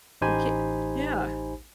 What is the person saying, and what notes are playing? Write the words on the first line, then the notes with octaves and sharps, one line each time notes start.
We c yeah.
A1 D#4 G4 C5 G#5 B5